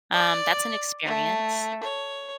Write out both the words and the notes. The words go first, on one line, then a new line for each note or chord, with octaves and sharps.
Um, that's an experience."
D5
A3
C#5